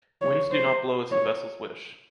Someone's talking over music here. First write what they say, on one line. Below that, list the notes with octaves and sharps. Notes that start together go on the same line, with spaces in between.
Winds do not blow as the vessels wish.
C#5
C5
C#5